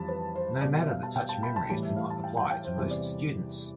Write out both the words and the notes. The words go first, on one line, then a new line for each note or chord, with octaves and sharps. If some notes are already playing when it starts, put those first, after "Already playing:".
No matter that such memories do not apply to most students.
Already playing: F2 E3 G3 A5 B5
B4
C5
B2 G3 D5
E5
F5
A5
G5
A5
B5
A5
A2 E3 G3 A5
E5
F5
A5
G5
G5
G5
C5
E2 C3 E3 G3 C5
D5